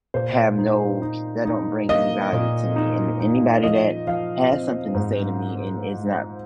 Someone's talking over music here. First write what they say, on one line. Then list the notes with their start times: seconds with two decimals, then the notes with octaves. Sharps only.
have no that don't bring any value to me. And anybody that has something to say to me and is not
0.14 A#2 C5
0.58 D#4
1.02 D#4
1.45 D#4
1.89 A#3 D#5
2.32 A#2
2.76 D#4
3.20 D#4
3.63 F3 D#5
4.07 F3 F5
4.50 C4
4.94 G#2